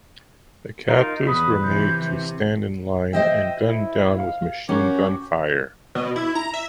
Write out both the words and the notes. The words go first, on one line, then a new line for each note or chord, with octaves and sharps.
The captives were made to stand in line and gunned down with machine gunfire.
D#4 F4 A#4
E2 B4 B5 D#6
C3 E3 G6
C3
C5 D#5 E5 G5
E4
F5
C#4 F#4 G4 A#4
B2
E4
A#5
E5